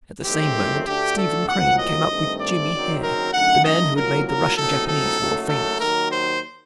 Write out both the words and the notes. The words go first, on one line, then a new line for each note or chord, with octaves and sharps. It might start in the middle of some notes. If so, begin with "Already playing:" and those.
At the same moment Stephen Crane came up with "Jimmy" Hare, the man who has made the Russian-Japanese War famous.
F#1 F#2 D#3 A3 C4 G4
D2 D3 A3 D4 G4
A4
C2 A#2 F#3 C4 F#5
D#5
G2 D#3 A3 C4
D5
F#1 F#2 D#3 F#3 C4
A#4
F#2 D3 A3 D#4 F#5
D#5
C2 A#2 F#3 A#4
A#4
A#1 A2 F#3 C4 D#4 A4
A4
F#1 F#2 F#3 A3 D#4
A4
D#2 D#3 F#3 A#4
C5